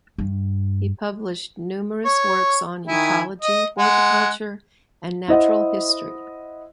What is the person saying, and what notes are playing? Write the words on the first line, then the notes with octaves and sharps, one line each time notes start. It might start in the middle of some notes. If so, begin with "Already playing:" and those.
He published numerous works on ecology, horticulture, and natural history.
G2
C#5
D#3 E4 G#5
D#5
G#3 F#5
E4 C5 D#5 F#5